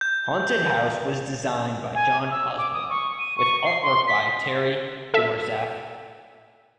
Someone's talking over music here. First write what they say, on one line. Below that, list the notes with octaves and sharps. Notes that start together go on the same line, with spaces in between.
"Haunted House" was designed by John Osborne, with artwork by Terry Doerzaph.
G6
G#5
E6
D6
D#6
C#6
D#7
C#6
C7
C6
B6
A4 E5